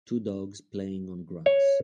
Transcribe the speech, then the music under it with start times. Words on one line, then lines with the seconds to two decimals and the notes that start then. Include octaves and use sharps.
Two dogs playing on grass.
1.46 C#5